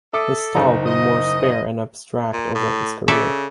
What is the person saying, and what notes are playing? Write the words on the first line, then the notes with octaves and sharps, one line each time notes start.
His style grew more spare and abstract over his career.
A4 E5 D6 D#6
F#1 D#4 A#5
D#5
A#2
A2
C#3 A4 D5 E5